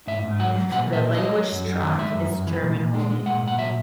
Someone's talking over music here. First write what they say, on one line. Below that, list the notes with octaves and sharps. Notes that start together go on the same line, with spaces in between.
The language track is German only.
G#2 E5
G#2
F#3 F#5
F#3
A#2 F#5
A#2 E5
F#3
D#5
F#3
F#3
F#2
F#2
D#3
G#3 E5
F#2
F#2
E3
A#2
A#2
G#3
G#3
A#2 F#5
A#2 F#5
F#3 E5